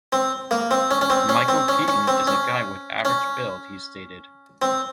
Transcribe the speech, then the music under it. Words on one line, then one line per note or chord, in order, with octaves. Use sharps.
Michael Keaton is a guy with average build, he stated.
C4
A#3
C4
C#4
C#4
C4
C#4
C4
C#4
C#4
C4
C#4
C#4
C4